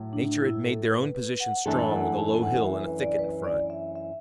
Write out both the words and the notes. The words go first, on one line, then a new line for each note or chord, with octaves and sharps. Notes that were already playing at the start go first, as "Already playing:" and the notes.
Nature had made their own position strong with a low hill, and a thicket in front.
Already playing: A2 F#3
D4
E4
A4
B4
B4
F#5
F#2 E3 A3 D4 A4 A5
F#5
A5
F#5
E5
B4
D5
B4
D5
E5
E5